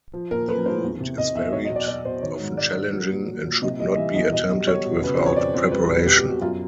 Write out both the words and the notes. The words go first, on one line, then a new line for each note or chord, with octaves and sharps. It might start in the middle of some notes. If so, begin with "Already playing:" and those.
The route is varied, often challenging and should not be attempted without preparation.
F3
A#2 A#4
F3 B4
F3 C5
E2
C3
C3 D#5
E2 E5
F#3 C#5
D#5
B2
D5
B2 D5
B2 C5
D#3 C#5
G#2
G#2 D5
G3
F#3
A#2
F#3
A#2
C3 D#5
G3 D#5
D#5
E3 E5
E2 D#5
B2 D#5
G3
B2 C#5
B2
C#3 B4
F2 C5
C#5
F2 D5
F2 C5
G3 B4
B2
B2 G4
G4
B2
F#4
F#2 F4